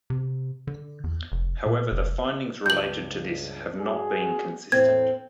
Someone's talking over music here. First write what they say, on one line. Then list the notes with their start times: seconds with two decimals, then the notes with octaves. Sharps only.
However the findings related to this have not been consistent.
0.10 C3
0.67 D3
1.04 E2
1.32 F1
1.66 A#2
1.92 F1
2.66 C#2 G2 G6 F#7
3.79 F#4 G#4
4.72 E2 A2 C4 G#6